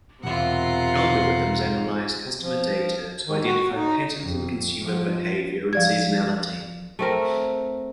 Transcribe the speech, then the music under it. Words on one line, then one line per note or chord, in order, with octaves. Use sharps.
Algorithms analyze customer data to identify patterns in consumer behavior and seasonality.
B1 E2 C3 E4 F4 A#4 F#5
F3
D#3
F#4
D#4
F2
F3
F3 D5 G#6
A3 C4 A#4